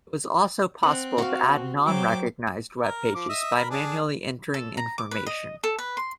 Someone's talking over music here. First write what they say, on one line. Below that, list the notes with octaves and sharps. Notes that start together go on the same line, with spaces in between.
It was also possible to add non-recognised webpages by manually entering information.
C4 F#5
F#4 F5
F#3 C5 G5 D6
A#4
F3 D6
D#5 E5
A#4 B5
D4 G#4
A4
A#5
D6
B4
D#5
A4
B4
C6